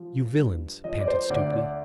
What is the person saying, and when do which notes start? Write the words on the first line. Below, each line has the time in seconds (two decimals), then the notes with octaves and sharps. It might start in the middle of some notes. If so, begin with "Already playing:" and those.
"You villains," panted Stuteley.
Already playing: F3
0.38 G2
0.84 F3 D#5
1.01 D5
1.08 C5
1.30 D2 D5
1.52 D5